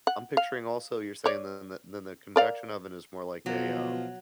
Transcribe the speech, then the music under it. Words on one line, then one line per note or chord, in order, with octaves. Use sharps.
I'm picturing also, you're saying the nu nu nuc convection oven is more like a, um,
F#5
F5
C#5 D5
A#4 D5 F5
B2 F3 F#3